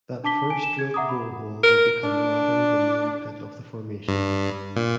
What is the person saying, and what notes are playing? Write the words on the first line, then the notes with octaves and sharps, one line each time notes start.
That first drilled borehole would become latter the main pit of the Formation.
D4 A5 D6 B6 G7
G#5 D7
E7
G#4 G#6
E5 F#5 A#5 D6 D#6
B5
A#4
D4
G2
A#2